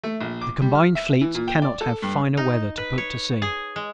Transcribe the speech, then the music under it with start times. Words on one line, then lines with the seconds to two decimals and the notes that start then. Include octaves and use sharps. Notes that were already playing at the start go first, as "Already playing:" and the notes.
The Combined Fleets cannot have finer weather to put to sea.
0.04 A3
0.21 A#1
0.41 D6
0.62 G3
0.75 F6
0.95 E5
1.21 E3
1.35 A#2
1.48 G5
1.62 D5
1.81 A4
2.02 G2
2.37 D#4
2.78 B4
2.98 C#5
3.42 G#4
3.76 G#3